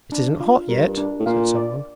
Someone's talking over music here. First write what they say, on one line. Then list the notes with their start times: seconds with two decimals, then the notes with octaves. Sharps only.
'It isn't hot yet,' said someone.
0.12 D4
0.40 F4
0.69 G2 A#4
0.98 D4
1.20 A2
1.26 A#2 F5
1.55 D5